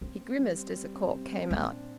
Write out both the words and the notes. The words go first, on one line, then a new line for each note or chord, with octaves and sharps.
He grimaced as the cork came out.
A#3 C4
C4
G3
C4
G3
C4
C3
C4
A#2 G#3
D4